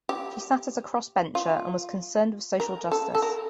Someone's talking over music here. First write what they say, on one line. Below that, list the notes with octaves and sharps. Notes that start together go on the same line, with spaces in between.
She sat as a cross-bencher, and was concerned with social justice.
G4
F4
A#4
A4
A4
A#4